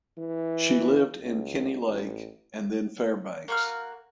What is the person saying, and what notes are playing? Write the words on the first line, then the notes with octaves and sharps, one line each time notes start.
She lived in Kenny Lake and then Fairbanks.
E3
C#2
A1
A#3 F#4 F6